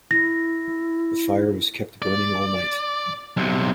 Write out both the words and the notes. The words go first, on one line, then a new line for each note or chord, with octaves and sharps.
The fire was kept burning all night.
E4 A#6
D5
B1 C3